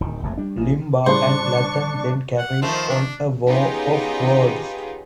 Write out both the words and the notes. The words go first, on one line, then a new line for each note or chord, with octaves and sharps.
Limbaugh and Latham then carried on a war of words.
D1 D#3
F1 F2 A3
G3 D4
A1
A2 C#3 G3 D4 C5 C#6
F#5
D#3 F3 A3 C5
D4
B3 C#4 D#4 F4 G4 G#4